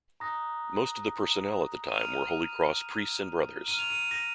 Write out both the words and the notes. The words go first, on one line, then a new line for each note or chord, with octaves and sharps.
Most of the personnel at the time were Holy Cross priests and brothers.
A#5 D#6 F#6 A#6
D#7
A#5 F6 F7
A#5 F6 D#7
F7
D#7
A#6